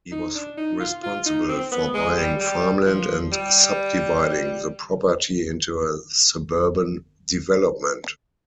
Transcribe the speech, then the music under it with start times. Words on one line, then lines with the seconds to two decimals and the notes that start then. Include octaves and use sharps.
He was responsible for buying farmland and subdividing the property into a suburban development.
0.12 D#4
0.35 D4
0.57 D#4
0.80 F4
1.03 F4
1.26 D#4
1.49 C4
1.72 B3
1.94 G#3
2.17 G3
2.40 G3
2.86 F3
3.32 G3